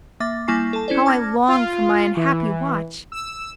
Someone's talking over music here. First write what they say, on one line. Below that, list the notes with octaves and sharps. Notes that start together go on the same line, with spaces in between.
How I longed for my unhappy watch!
A#3 E5 D6 A6
G3 A#3 E4 G#5 C#6 C7
A4 A5
C#4 E4 C5 D5
A5 D6 F6 G#6 A#6
F4
E3
E6